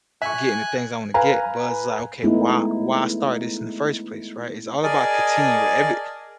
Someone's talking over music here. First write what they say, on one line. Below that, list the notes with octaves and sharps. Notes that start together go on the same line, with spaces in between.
getting the things I wanna get." But it's like, okay, why why start this in the first place, right? It's all about continue every
E5 G#5 C#6 F#6
B4 F5 G#5 A#5
G#3 A3 B3 D#4 E4
G#4 A#4 D5 D#5 G#5 A5